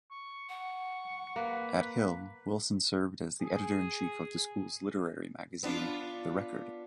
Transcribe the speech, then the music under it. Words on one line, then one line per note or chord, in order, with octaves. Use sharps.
At Hill, Wilson served as the editor-in-chief of the school's literary magazine, "The Record".
C#6
F#5 C#6
A#3 B4
G#4
B3 D4 F4